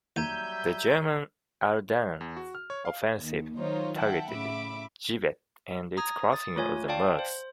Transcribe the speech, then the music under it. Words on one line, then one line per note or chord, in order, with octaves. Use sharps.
The German Ardennes Offensive targeted Givet and its crossing of the Meuse.
D#2 F#3 G3 E5 A#5 G6 G#6 D#7
E2
F#4
F6
C#5
F5
D#2
D#3 F#3 D#4 F4 C5 C#5
E5 F#5 G5 A5
A2 C#3 E5 B5 D6
A#5 D#6 G#6
D#6 A6
A3 F4 C#5 G#5
D5 F5 G5 A5
C5